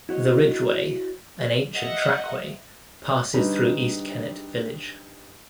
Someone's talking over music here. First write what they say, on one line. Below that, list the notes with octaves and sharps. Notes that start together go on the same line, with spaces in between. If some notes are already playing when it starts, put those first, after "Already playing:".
The Ridgeway, an ancient trackway, passes through East Kennet village.
E4 F#4 C#5 D#5
D#5 E5 F#5
D3 G3 C#4 D#4 B4